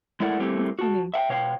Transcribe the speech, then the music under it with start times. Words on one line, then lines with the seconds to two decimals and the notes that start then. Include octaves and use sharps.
That's funny.
0.20 G#3 A3 E4 A#4 D5 F#5
0.39 G3 A3 A#3 C4 E4 G4
0.79 F#4 A5
1.14 E5 F#5 G5
1.29 B2 C#5 F5 G5